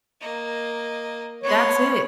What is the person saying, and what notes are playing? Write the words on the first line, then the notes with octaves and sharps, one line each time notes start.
That's it.
A#3 D#5
B3 C#5 C6